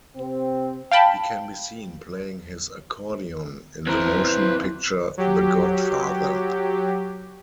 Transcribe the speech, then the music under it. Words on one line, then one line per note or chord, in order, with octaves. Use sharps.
He can be seen playing his accordion in the motion picture The Godfather.
C3 C4
F5 G5 A5 B5
F2 E3 E4 B4 C5 A#5
F#3 G4